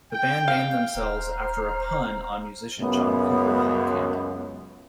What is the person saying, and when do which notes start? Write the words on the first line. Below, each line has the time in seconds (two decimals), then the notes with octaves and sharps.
The band named themselves after a pun on musician John Cougar Mellencamp.
0.12 G5
0.48 F5
0.95 D#1 C5 A#5 F6
2.79 C#2 F#2 B3